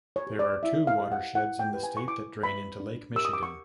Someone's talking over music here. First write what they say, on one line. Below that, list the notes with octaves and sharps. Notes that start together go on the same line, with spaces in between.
There are two watersheds in the state that drain into Lake Michigan.
C#5
G4 C5
D5
E4 E5
F5
G4 C5
F#5
E4 F#5
G5
G4 B4
G#5
C#6
E4 D6
G4 B4 B5
D4
G4 A#4 C#5 E6
D#6
D6
C#6